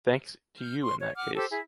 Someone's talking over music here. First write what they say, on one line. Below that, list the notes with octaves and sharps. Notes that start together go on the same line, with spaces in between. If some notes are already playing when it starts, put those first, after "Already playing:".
Thanks to you in that case.
F6 G6
C6 C#6
C#5
F#5 D6 F6
G4 A4 C5 E6
E4 G#4